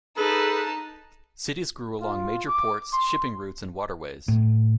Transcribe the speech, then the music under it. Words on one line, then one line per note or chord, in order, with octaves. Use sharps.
Cities grew along major ports, shipping routes, and waterways.
D#4 G#4 A4 B4 A5
F4
D6
C6
A2